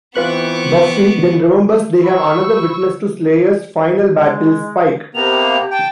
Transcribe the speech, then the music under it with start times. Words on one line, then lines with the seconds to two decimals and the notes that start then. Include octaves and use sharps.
Buffy then remembers they have another witness to Slayers' final battles: Spike.
0.16 E3 B3 C4 F4 B4 C#6 D6 F#6
2.03 B5 C#6 E6
4.09 G#3
5.15 C3 A#3 B3 G4 F7
5.71 G5 A5